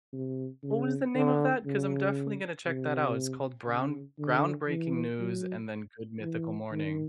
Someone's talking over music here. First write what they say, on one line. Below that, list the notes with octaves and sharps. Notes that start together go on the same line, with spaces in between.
what was the name of that? 'Cause I'm definitely gonna check that out, it's called brown Groundbreaking News and then Good Mythical Morning.
C3
C#3
D3
C#3
C3
C#3
D3
E3
F#3
E3
D#3